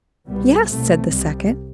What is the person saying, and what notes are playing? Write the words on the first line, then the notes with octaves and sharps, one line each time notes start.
"Yes," said the second.
C2 B2 G3 B3
C2 B2 A3 C4
C2 C3 G3